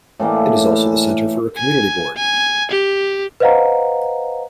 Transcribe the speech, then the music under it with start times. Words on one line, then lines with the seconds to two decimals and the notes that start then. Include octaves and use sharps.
It is also the centre for a Community Board.
0.19 A2 E3 A#3 D5
1.58 G#5
2.17 G#5
2.71 G4
3.40 B4 C5 D#5 F5 F#5 A#5